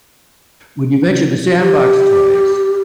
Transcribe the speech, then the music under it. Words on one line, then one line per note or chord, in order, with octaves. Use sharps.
When you mentioned the sandbox toys,
G4